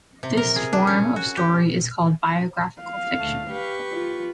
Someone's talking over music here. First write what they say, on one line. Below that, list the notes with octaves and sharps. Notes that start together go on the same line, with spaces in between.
This form of story is called biographical fiction.
C3
A#4
G#4
D4
C#4
F#4
G4
F5
D2 A3
G4 B4 C#6
F4